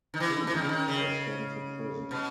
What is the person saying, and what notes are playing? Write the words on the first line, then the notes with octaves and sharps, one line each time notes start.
Two were sent to prison.
D#3
E3
E3
D#3
C#3
D#3
C#3
B2